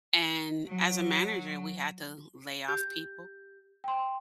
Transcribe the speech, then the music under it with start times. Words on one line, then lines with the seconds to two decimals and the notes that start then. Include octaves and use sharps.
And as a manager, we had to lay off people,
0.67 F#3
2.68 G4 G6
3.84 G5 C6